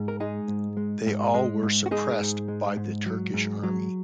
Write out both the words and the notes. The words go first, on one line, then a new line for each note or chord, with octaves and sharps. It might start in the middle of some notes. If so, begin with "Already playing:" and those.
They all were suppressed by the Turkish Army.
Already playing: G#2
A#4
G#3 D#4 G#4
G#2
G#3
G#2
G#3
G#2
F#4
G#3 D#4 G#4
G#2
G#3
G#2
F#3
G#2
F#3